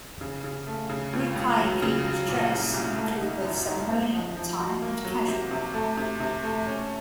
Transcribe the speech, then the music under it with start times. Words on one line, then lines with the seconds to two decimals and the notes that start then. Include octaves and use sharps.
Rukai people's dress include both ceremonial attire and casual wear.
0.21 C#3
0.44 C#3
0.67 A3
0.90 C#3
1.13 C#2
1.36 C#2
1.60 F#3
1.82 C#3
2.05 F#3
2.28 A#2
2.52 C2
2.74 C2
2.97 A3
3.20 D#4
3.43 F#2
3.67 D#4
3.90 C4
4.13 F3
4.36 F3
4.60 F#4
4.82 A#3
5.05 F#3
5.28 C3
5.51 C3
5.74 A3
5.97 C3
6.20 C3
6.43 A3
6.66 C#4